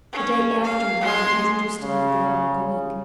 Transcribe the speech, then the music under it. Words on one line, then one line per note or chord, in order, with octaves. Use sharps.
"The day after you had been introduced to me at the Opera Comique."
C#4
F5
G#3 C6
C#3